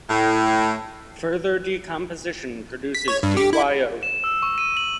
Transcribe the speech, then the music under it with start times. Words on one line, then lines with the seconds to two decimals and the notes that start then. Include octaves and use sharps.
Further decomposition produces DyO.
0.09 A2
2.95 B6
3.08 C#5
3.23 G2
3.37 G4
3.53 E4
4.03 E7
4.24 E6
4.42 C#6
4.58 D#7
4.77 F#7